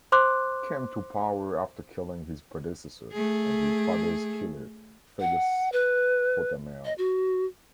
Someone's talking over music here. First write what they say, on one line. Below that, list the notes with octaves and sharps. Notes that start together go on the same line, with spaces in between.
He came to power after killing his predecessor, and his father's killer, Fergus Fortamail.
C5 C6 D6 F#6
A3 G#4
F#5
B4
D#5
F#4